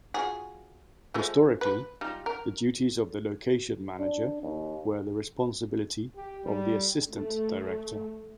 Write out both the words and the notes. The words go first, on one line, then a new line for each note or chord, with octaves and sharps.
Historically, the duties of the Location Manager were the responsibility of the Assistant Director.
F4 F#4 G#4
F3 G#3 A3
B4
G3 D#4 F4
A#4
D4
D#2
G4
G3
A3